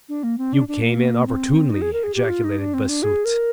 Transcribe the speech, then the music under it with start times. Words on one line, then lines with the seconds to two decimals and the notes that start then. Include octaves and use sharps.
"You came in opportunely!" ejaculated Bossuet.
0.09 D4
0.23 A#3
0.38 C4
0.53 D4
0.68 D4
0.82 A#3
1.27 C4
1.70 D#4
1.82 G#4
1.93 A#4
2.04 G#4
2.15 G4
2.29 F4
2.44 D#4
2.59 D4
2.74 C4
2.89 D4
3.03 G#4
3.25 A#4